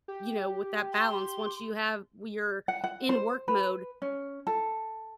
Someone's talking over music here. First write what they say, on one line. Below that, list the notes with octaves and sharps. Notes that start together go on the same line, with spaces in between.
you know, with that balance, once you have w you're in work mode,
G4
C6
F#5
F#5
C5
B4
C#4
A4